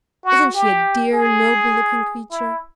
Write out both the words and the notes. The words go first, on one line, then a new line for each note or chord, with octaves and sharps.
"Isn't she a dear, noble-looking creature?"
F#4
G4
G#4
E4